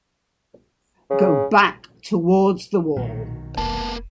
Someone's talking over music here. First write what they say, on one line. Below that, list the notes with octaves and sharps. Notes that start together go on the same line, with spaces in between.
Going back towards the wall!
C#3
B1 A#2 D#3 F#3
F1 A#3 B3 A5